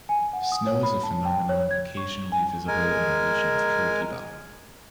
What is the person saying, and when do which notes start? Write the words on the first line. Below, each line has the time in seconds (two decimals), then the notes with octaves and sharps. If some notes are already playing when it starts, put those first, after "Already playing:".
Snow is a phenomenon occasionally visible in the region of Curitiba.
0.09 G#5
0.33 F#5
0.52 D#6
0.67 C#5
0.83 B5
1.03 A5
1.25 G5
1.49 C#5
1.71 G#6
1.97 C#6
2.32 G#5
2.68 G#3 A#4 G#5